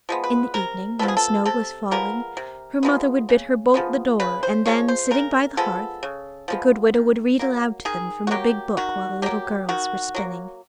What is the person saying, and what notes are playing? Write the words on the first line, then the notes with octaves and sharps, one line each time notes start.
In the evening, when snow was falling, her mother would bid her bolt the door, and then, sitting by the hearth, the good widow would read aloud to them from a big book while the little girls were spinning.
F3 G#3 B3
B4
C3 A#4
F3 G#3 B3 A4
G#4
A4
C3 A4
F3 G#3 B3 A#4
C3
F3 G#3 B3
C#3
F3 G#3 B3
C#3 B4
C5
F3 G#3 C#5
C5
C#3 A#4
F3 G#3 B3 A4
C#3
F3 G#3 B3
D#3
F#3 A#3
D#3 G#4
F#4
F#3 A#3 G4
D#3 F#4
F#3 A#3 G4
D#3 F#4
F#3 A#3